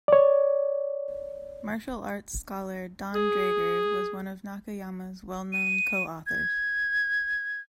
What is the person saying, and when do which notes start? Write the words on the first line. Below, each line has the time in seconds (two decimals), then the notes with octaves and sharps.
Martial arts scholar Donn Draeger was one of Nakayama's well-known co-authors.
0.08 C#5 D5
3.15 G#4
5.53 D#7
6.27 G#6